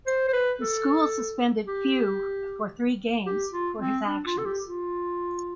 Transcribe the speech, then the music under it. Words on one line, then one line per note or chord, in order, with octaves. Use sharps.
The school suspended Few for three games for his actions.
C5
C5
B4
A4
G4
G4
F4
C4
D4
F4
A4
G4
F4